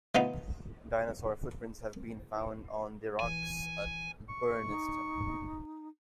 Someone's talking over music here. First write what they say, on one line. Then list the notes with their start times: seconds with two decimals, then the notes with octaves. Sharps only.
Dinosaur footprints have been found on the rocks at Burniston.
0.15 E3 F3 B3 D#4
3.20 A#1 E3 G#5
4.29 C#6
4.67 D#4